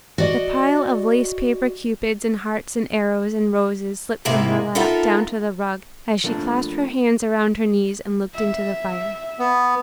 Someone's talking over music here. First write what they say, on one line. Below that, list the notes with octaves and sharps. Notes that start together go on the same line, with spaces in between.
The pile of lace-paper cupids and hearts and arrows and roses slipped from her lap, down to the rug, as she clasped her hands around her knees and looked into the fire.
F#4 D5 D#5
G#2 C3 A#3 E4 A#4
B3 D#4 F4 A4 A#4 E5
F3 A3 A#3 D4
E5
B3